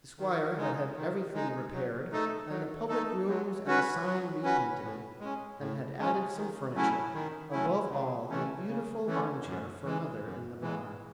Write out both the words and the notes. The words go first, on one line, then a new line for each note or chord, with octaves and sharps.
The squire had had everything repaired, and the public rooms and the sign repainted, and had added some furniture--above all a beautiful armchair for mother in the bar.
D#3
G#3
D#4
D#3
G#3 D#4
F#3
A3 D#4 A4
F#3
A3 D#4 A4
F#3
C#4 F#4 B4
F#3
C#4 F#4 B4
A2
G#3 C#4
A2
G#3 C#4
D#3
F#3 A3 C#4 E4
D#3
F#3 A3 C#4 E4
C#3
E3 A3 C#4
C#3
E3 A3 C#4
F#2
E3 G#3
F#2
E3 G#3